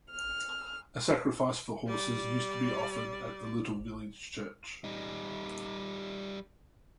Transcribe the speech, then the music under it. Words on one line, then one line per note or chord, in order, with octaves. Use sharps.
A sacrifice for horses used to be offered at the little village church.
F6
G3 D5
G3 D#4